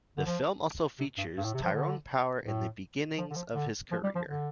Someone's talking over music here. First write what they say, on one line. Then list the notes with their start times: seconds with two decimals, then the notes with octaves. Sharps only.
The film also features Tyrone Power in the beginnings of his career.
0.17 D3
0.26 F3
0.99 C3
1.18 G2
1.37 G2
1.45 A2
1.54 C3
1.63 F3
1.72 D3
2.45 A2
3.18 F3
3.30 D3
3.36 F3
3.55 D3
3.91 F3
4.03 G3
4.15 F3
4.27 D3